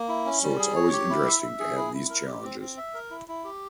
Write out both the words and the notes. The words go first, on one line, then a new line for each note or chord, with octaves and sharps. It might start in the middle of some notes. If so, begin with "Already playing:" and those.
So it’s always interesting to have these challenges!
Already playing: A#3
E4
C#4
G3
G#4
C#5
G4
E4
E5
E5
G#4
E4
E4
A#4
G4
C4
C4
E5
A#4
E4
E4
G4